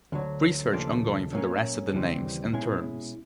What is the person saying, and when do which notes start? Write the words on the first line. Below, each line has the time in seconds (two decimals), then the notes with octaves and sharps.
Research ongoing for the rest of the names and terms.
0.12 D2 D3 F#3
0.72 D#2 C#3 F3 A3 D4
1.33 F#3 A#3 C#4
1.93 D#2 C#3 E3 G3 C4
2.53 B2 G#3 C#4 E4 G#4